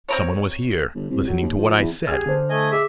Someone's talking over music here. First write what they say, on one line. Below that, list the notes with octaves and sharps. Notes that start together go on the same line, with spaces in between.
Some one was here--listening to what I said!
C4 A#4 C#5
G1
C2
F#3
D#2
F3
E2
G4 G#4 F6
D3 D4 C5
A3 D#5 G#5
G#4 D#5 E5 D6